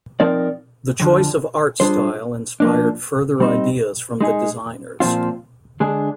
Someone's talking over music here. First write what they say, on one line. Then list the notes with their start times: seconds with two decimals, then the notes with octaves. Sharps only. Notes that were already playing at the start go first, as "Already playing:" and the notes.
The choice of art style inspired further ideas from the designers.
0.20 F3 C4 D#4 A#4 D5
1.00 F2 D3 F3
1.80 G3 D4 F4 G#4 C5
2.60 F3 A#3 D4
3.40 G3 C4 D#4
4.21 G#3 D#4 G#4
5.00 A#2 F3 C4 F4
5.80 D3 G#3 D4 G#4